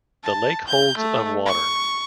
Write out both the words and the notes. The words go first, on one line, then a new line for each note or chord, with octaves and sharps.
The lake holds of water.
A5
G6
A3
C#6